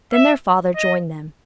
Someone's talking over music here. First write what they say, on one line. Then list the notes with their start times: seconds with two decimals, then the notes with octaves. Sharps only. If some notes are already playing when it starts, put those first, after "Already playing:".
Then their father joined them.
0.13 E5
0.76 D#5